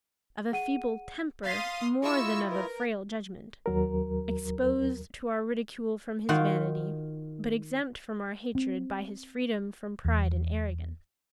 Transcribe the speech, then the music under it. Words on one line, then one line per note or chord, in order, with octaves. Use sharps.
Of a feeble temper, more than of a frail judgment; exposed to our ridicule from his vanity; but exempt from our hatred by his freedom from pride and arrogance.
G#4 F#5 D#7
F5 C6 D#6 A6 B6 C7
E4 F4 G#4 D#5 C#6 E6
A#4 B4
D#2 F#3 A#4
D#3 F4 F#4 F5 F#5
C4
E2